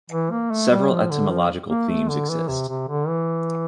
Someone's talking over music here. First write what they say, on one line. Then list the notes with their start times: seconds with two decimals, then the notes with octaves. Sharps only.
Several etymological themes exist.
0.10 E3
0.31 A#3
0.51 A3
0.70 G3
0.91 F3
1.10 D3
1.30 F3
1.70 A#3
1.90 A3
2.09 D3
2.29 E3
2.48 C3
2.69 C3
2.88 D3
3.08 E3